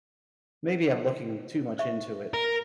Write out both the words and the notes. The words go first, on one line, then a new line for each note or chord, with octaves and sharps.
Maybe I'm looking too much into it.
C5 E5 C#6
A#4